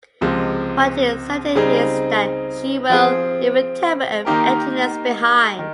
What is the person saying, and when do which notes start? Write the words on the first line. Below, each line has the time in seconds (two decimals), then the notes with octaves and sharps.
What is certain is that she will leave a terrible emptiness behind.
0.21 C#2 C3 F3 G#3
1.55 C#3 G3 C4 D#4 G#4
2.90 F3 C4 F4 G#4
4.25 D#3 A#3 D#4 G4 A#4
5.59 D#3